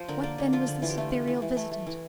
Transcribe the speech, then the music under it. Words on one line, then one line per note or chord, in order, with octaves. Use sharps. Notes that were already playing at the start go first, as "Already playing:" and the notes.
What then was this ethereal visitant?
Already playing: F3 C5
D3 A#4
A#3 D5
D3
F3 F4
D3
E3 F4
G4
A3 F4
A3
E3
E3
A3
A3
E3